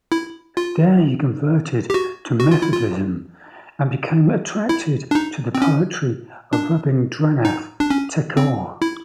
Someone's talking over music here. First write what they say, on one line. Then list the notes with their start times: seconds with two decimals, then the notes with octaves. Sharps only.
There he converted to Methodism and became attracted to the poetry of Rabindranath Tagore.
0.12 E4
0.57 F4
1.90 G4
1.94 F#4
2.40 F#4
2.51 F4
2.62 E4
2.73 F4
4.69 E4
5.11 D4
5.15 D#4
5.55 C4
5.62 C#4
6.53 D4
7.45 D#4
7.80 D4
7.90 C#4
8.37 C4
8.82 E4